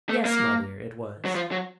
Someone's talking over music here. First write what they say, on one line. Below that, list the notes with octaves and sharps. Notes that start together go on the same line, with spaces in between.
'Yes, my dear, it was.'
A3
A#3
F#3
F3
F#3